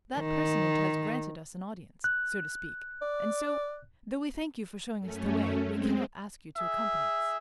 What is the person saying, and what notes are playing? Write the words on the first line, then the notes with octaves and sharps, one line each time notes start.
"That personage has granted us an audience, so to speak, and so, though we thank you for showing us the way, we cannot ask you to accompany us."
D#3
F#6
D5
F#2 A3 C#4
G#3 C4
G#4 E5